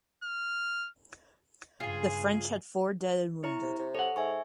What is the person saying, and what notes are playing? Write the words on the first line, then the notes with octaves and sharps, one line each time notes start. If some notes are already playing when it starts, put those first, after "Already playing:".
The French had four dead and wounded.
F6
G2 C#3 F4 G#4 G#5
E4 C#5 A#5
C3
C3
A4 C#5 F#5
G#2 E5 G#5 C#6